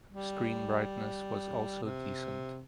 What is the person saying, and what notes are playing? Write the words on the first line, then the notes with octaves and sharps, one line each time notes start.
Screen brightness was also decent.
G3
C3